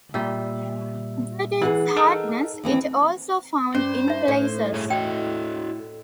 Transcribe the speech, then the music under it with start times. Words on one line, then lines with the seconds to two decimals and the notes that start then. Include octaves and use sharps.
Due to its hardness it also is found in placers.
0.14 A#2 G3 E5 G5
1.61 E3 G#4 B4 F#5
1.96 D#4 A4 A#4
2.64 D#2 E3 C4
3.75 G2 C#4 C5
4.08 D#4 E5
4.28 A2
4.73 G2 G#4 C#5
4.90 E4 F#4 D#5 G5